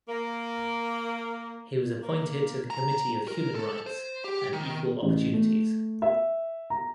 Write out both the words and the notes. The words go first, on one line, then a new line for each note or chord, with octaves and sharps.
He was appointed to the committee of human rights and equal opportunities.
A#3
A#3
A#5
A#4
A4
C5
G4
D#3
A1
A3
E5
A#5